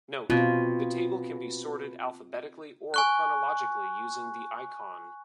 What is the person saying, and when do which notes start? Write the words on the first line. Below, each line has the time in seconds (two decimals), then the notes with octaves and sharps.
Note: The table can be sorted alphabetically or chronologically using the icon.
0.30 B2 C4 F4
2.94 G#5 C#6 F#6